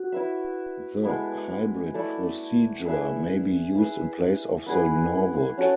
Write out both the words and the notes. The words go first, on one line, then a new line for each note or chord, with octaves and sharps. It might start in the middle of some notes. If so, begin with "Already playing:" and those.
The Hybrid procedure may be used in place of the Norwood.
Already playing: F#4
E4 B4 E5
G#3 B3 E4 A4
A3 E4 A4 D5
E4 G#4 B4 E5
E4 G#4 B4 E5
B3 E4 G#4 B4
C#4 F#4 A4